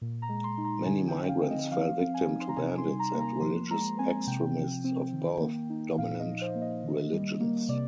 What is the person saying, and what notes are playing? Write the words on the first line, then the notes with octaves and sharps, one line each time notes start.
Many migrants fell victim to bandits and religious extremists of both dominant religions.
A#2
A#5
G#3
C6
D#4
A#5
D3 G#5
G5
F3
F5
C4
D#5
F3 F5
C4
G#5
D#4
C6
A#5
C3 G#5
C6
G3
A#5
A#3
A#5
F3 C6
G#3 A#5
C4 G#5
C3 G5
F3
C4
D#3
A#3
D#4
A#2 F5
D#5
F3
C5
A#3
D#5
D#3
G3
A#3
C3 D5